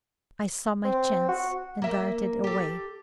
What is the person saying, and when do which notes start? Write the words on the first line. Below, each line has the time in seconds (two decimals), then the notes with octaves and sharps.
I saw my chance, and darted away.
0.85 C4
1.29 F#4
1.82 A#3 E5
2.44 G4 A4